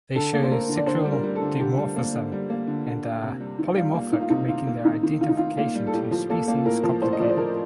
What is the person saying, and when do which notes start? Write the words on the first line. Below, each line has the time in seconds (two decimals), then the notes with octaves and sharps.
They show sexual dimorphism and are polymorphic making their identification to species complicated.
0.15 D3 A4
0.33 A#3
0.43 C5
0.51 A#3 A#4
0.69 D3
0.76 D5
0.87 D3 C5
1.05 G3
1.12 A#4
1.23 G3
1.36 A4
1.41 D3
1.59 D3 G4
1.78 G3
1.96 A#3
2.13 D3
2.32 G3
2.50 A#3
2.67 D3
2.86 D3
3.04 A#3
3.23 C3
3.40 G3
3.59 D#3
3.76 G3 F4
3.94 A#3
4.12 A#3 D#4
4.21 F4
4.30 C3 D#4
4.49 D#3 F4
4.67 A#3
4.85 D#3 D#4
5.03 D#3
5.21 D#3 F4
5.29 D#4
5.37 D#3 F4
5.57 A#3 F4
5.75 G3
5.87 A4
5.93 A2 G4
6.11 F3
6.30 A#3 A4
6.48 A#3
6.65 A2 A#4
6.83 F3
7.02 A2 C5
7.12 D#5
7.20 F3 D5
7.30 C5
7.37 F3 A#4